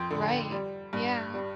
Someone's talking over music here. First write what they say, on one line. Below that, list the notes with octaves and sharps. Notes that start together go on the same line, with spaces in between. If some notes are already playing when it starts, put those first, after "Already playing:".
Right. Yeah.
Already playing: F2 G5 C6
D3
G3
G2
G3